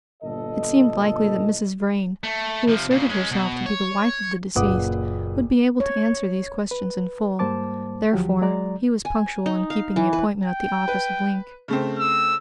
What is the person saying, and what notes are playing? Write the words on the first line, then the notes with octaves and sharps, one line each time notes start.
It seemed likely that Mrs. Vrain, who asserted herself to be the wife of the deceased, would be able to answer these questions in full; therefore, he was punctual in keeping the appointment at the office of Link.
G1 A#2 A4 D#5
A3
C3 F3
A#2 C#3
G#3 C#4
B2
C#5
F#1 A#2 B4 F#5 D6 D#6
C#5
B4
G#2 G3 A#3 C5 A5 D6
D2 F3 F#3 G4
F#3 G#3 D5 A#5
G#5
D#4
F5
E3
B4
G5
B4
C#3 A3 C4
E6